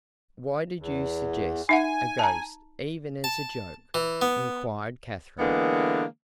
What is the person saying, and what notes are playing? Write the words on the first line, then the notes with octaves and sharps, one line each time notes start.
"Why did you suggest a ghost even as a joke?" inquired Katherine.
E2
D#4 E5 F#5 G#5
A5 A#5
A5
E3
B3
D3 E3 G#3 A#3 B3